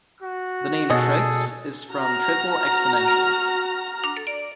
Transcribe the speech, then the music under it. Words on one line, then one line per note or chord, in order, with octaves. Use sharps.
The name Trix is from triple exponential.
F#4
B2 G#4 A4 C#5 D#5
F#4 A#5 F6 A#6